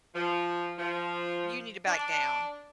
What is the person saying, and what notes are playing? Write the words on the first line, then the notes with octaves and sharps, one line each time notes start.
you need to back down
F3
F3
D4